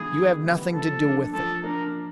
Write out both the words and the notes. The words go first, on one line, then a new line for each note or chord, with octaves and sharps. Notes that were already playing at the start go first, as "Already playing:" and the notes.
You have nothing to do with it.
Already playing: G2 E3 G3 B3 G#4
G2
E3 G3 B3
F3 A4
A#3 D4
F3 A4
A#3 D4 A#4